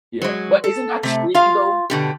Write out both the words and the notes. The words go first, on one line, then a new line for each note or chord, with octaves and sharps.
Yeah, but isn't that streaming, though?
F#3 G#3
A4
C3 A3
F4 F5
B2 D3 G4